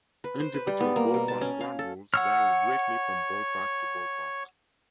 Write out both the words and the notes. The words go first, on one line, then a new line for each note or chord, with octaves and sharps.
Individual ballpark ground rules vary greatly from ballpark to ballpark.
B4
C5
B4
G3
B3
A#3
B2
A5
C#4
F5
A4
C#5 F#5 E6 F6